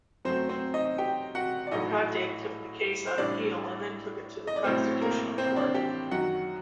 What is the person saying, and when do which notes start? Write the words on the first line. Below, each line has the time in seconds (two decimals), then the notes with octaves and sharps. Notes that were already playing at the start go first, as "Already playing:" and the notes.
Makate took the case on appeal, and then took it to the Constitutional Court.
0.25 F#2 F#3 A3 C4 C5
0.49 C4 C5
0.74 D#4 D#5
0.98 G4 G5
1.35 F#4 F#5
1.67 D5
1.71 A#1 A2 F#3 A3 D#4 D#5
3.07 C5
3.18 A1 A2 G3 D4 D5
4.47 D#5
4.56 D5
4.64 A1 A2 F#3 A3 C4 C5
5.01 A#3 A#4
5.38 C4 C5
5.56 D4 D5
5.74 G4 G5
6.11 F#2 D#3 F#3 F#4 F#5